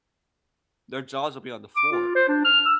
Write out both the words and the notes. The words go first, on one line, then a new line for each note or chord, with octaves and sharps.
their jaws will be on the floor.
D6
F4
C5
D4
F6
E6